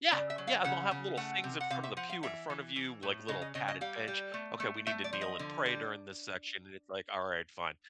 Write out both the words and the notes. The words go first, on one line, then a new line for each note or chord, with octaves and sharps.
Yeah, yeah, and they'll have little things in front of the pew in front of you, like little padded bench, okay, we need to kneel and pray during this section, and it's like, "Alright, fine."
C#3 D5
E5
F#3
F5
C#3 F#5
C#3
A3 F#5
C3
F#5
C3 F5
E5
F3 F#5
F5
E3 E5
E3
E3
A2
C#3 D#5
D#5
C#3 D#5
D#5
G3 F5
G3
A3
A3
A3 E5
D5
F3
D#5
D3
G3